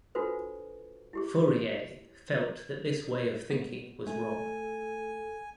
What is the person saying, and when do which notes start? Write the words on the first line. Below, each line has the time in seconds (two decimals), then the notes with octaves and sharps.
Fourier felt that this way of thinking was wrong.
0.15 D4 F4 F#4 A4 B4 C5
1.13 E4 G4 G#4
3.50 B3
4.07 A3 A4 G#5